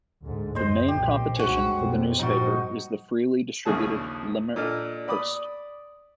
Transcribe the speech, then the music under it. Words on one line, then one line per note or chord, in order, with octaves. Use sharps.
The main competition for the newspaper is the freely distributed "Limerick Post".
D2 G#2
F#2 C5 D#5
B1 F2 A#2 G4
C2 G2 G#3 C#4 F#4
F2 B2
G2 A#2 F3 G3 D#4 F#4
A#1 D#2 C#3 G#4 A5
A#2 D4 A4 D#5 F6
D5 B5 D6 D#6